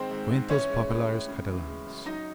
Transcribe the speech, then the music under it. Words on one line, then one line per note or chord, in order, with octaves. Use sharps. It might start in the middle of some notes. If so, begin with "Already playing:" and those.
Cuentos Populars Catalans.
Already playing: D#3 G#3 C4 C5
G#2
G#2
E3 C#4 C#5
G#3
A2
A2
C#3
E3
G#3
F#2
F#3 D#4 D#5